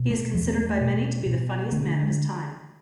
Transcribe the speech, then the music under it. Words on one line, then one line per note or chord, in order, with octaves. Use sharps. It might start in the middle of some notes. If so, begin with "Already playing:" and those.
He is considered by many to be the funniest man of his time.
Already playing: B2
A3
E2 F3
B3
A3
B2
B2
D3 A3
G#3